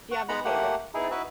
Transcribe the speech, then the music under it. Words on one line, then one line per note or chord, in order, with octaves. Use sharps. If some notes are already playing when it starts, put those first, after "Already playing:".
Do you have any favorite sport?
F#5 C#6
G#3 B3 D#4 F#5 A#5 B5
A3 A#3 G4 F#5
D#4 E4 G#4
D#4 E4 F#4 B4 E5